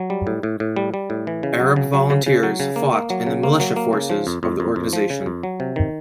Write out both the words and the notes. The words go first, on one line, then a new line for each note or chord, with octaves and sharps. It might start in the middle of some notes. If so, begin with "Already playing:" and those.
Arab volunteers fought in the militia forces of the organisation.
Already playing: F#3
G3
A2
A2
A2
G3
G3
A2
E3
C#3
F#3
C#3
F#3
C#3
C#3
F#3
C#3
A#3
A#3
F#3
C#3
A#3
F#3
A#3
C#3
F3
F2
F2
F2
F2
F3
C#3
F2
F#3
C3
D#3